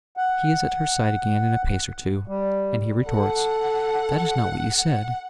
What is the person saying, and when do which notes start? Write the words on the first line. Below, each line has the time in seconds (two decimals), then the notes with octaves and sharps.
He is at her side again in a pace or two, and he retorts, 'That is not what you said.
0.17 F#5
2.28 G3
3.08 A4 F#5